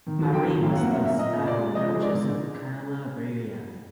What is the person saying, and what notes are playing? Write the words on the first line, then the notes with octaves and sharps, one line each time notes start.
Marie was thus styled Duchess of Calabria.
D#3
F#3
G5
D#3
F#2 F5
F#5
A#3
E5
A#3
E5
A#2 D#5
A#2
D5
G#3
F3 D#5
G#3
D5
D3